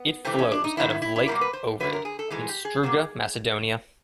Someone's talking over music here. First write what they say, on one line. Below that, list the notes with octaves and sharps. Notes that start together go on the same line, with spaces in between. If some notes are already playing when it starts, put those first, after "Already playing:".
It flows out of Lake Ohrid in Struga, Macedonia.
Already playing: B3
C3 E3 A3 C4
C#4
D4
D#4
F#2 D#3 G3 A#3 E4
E4
E4
E4
B2 G3 A#3 A#4
B4
C5
F#2 D3 F#3 A3 B4
A#4
G#4
A4
G#2 E3 G#3 G#4
G4
G#4
A#2 F#3 A#3